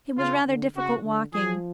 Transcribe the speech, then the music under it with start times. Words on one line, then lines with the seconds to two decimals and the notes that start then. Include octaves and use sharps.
It was rather difficult walking.
0.17 C#3 F4
0.46 D3
0.75 C#3 F#4
1.04 D3
1.33 F3 G#4